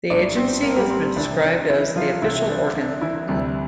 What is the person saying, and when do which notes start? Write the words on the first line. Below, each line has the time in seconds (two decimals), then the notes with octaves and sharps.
The agency has been described as the official organ.
0.10 A#1 A2 G3 D4 D5
0.36 C4 C5
0.63 A#3 A#4
0.76 G3 G4
0.90 C4
1.16 C2 C3 E3 D4
1.43 D4
1.70 E3 E4
1.96 F3 F4
2.22 C2 C3 E3 E4
2.49 D4
2.75 D4
3.01 E3 E4
3.28 D2 C3 G3